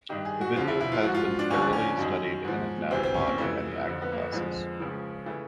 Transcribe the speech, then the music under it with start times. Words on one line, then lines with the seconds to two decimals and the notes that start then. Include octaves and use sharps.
The video has been thoroughly studied and is now taught in many acting classes.
0.09 G2 D#3 G4
0.25 G#4
0.41 F#4
0.56 D#2 D3 F3 F4
0.68 E4
0.80 E4
0.92 F4
1.03 G#2 F3 F#4
1.15 F4
1.39 D4
1.50 D#2 D3 F3 C#4
1.61 D4
1.73 C#4
1.98 F#2 D#3
2.45 G#2 F3
2.91 D2 C3 E3 C4
3.03 C4
3.14 C#4
3.27 A#3
3.38 F2 C3 E3 A3
3.86 F2 D3 F3
4.02 B3
4.12 A#3
4.22 A3
4.32 F2 D3 F3 G#3
4.80 C#2 C#3 F3
5.26 C#3 E3 A3